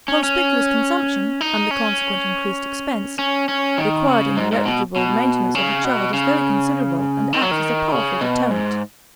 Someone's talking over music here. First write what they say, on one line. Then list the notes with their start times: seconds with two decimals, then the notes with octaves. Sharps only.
The conspicuous consumption, and the consequent increased expense, required in the reputable maintenance of a child is very considerable and acts as a powerful deterrent.
0.08 C#4
0.23 C#4
1.41 D#4
1.71 C#4
3.19 C#4
3.49 C#4
3.78 D#3
4.07 C#3
4.37 G#2
4.52 G#2
4.66 B2
4.96 B2
5.55 C#3
5.85 B2
6.14 C#3
7.33 D#3
7.42 F#3
7.51 D#3
7.92 C#3
8.21 B2
8.51 G#2